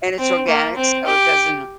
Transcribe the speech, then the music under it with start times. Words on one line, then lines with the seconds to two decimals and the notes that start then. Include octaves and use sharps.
and it's organic so it doesn't, uh
0.18 C4
0.48 A#3
0.77 C4
1.06 G4